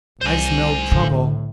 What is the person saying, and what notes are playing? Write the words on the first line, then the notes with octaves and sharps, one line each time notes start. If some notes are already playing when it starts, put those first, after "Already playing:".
I smell trouble.
C2 C5 G#5
A2 D3